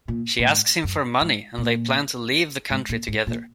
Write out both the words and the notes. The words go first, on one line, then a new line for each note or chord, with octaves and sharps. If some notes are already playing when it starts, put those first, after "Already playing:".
She asks him for money and they plan to leave the country together.
A#2
A#2
G#2
F#2
G#2
A#2
G#2
A#2
G#2
A#2